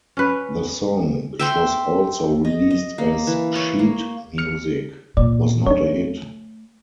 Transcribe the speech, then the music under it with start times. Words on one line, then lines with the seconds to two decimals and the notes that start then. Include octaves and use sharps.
The song, which was also released as sheet music, was not a hit.
0.17 C#4 B4
1.39 E5 G5 C6
2.45 D#5
2.71 D#5
2.98 A#3
3.27 E3
3.56 C#5
3.79 A#3
4.38 F6 C#7
5.17 A#2 D5
5.67 A3 D4 C#5